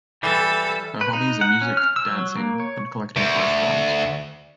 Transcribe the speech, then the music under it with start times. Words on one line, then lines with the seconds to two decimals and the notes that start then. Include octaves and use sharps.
Her hobbies are music, dancing and collecting postcards.
0.23 E3 G3 A4
1.01 B4
1.13 D#4
1.41 F#5
1.61 C#4
1.77 F6
1.96 E6
2.08 F#3
2.36 A#3
2.60 C#5
3.16 D2